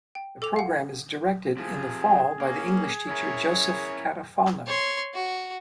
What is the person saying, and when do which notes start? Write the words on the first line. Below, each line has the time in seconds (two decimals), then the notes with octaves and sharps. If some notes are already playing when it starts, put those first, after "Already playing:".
The program is directed in the fall by the English teacher Joseph Catalfano.
0.15 G5
0.42 A4 D6 F7
0.56 F5 F#5
1.57 C3 F3 G#4
2.40 A#3 C#4
3.09 C#4 E4 A#4 C#5
4.66 C#5 C6
5.13 F#4